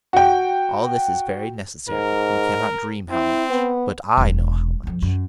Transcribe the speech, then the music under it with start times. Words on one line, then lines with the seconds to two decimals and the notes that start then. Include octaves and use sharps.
All this is very necessary: you cannot dream how much: but I know how much.
0.13 F#4 G5
1.89 G#2 A#4
3.11 C4 E4
3.51 B3
4.17 E1 C3
4.83 F2 C3
5.02 F#2